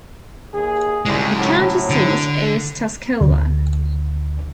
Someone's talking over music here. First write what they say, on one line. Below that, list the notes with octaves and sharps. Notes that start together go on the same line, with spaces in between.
The county seat is Tuscola.
D#2 G#4
C2 C#3 G#3
A2 C3 F#3
D3
D2